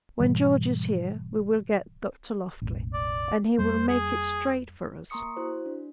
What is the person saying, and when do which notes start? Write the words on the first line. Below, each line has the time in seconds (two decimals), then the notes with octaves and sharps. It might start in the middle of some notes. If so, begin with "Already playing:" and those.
When George is here we will get Dr. Loftly, and he will make it straight for us.
0.20 G#2 B2 E3 G3
2.62 E1 A1
2.94 D5
3.59 F2 G3 A#3 C5
3.88 G#4
5.10 A#3 A#5 C6 C#6 D#6 C#7
5.36 E4 F#4 C5
5.66 D4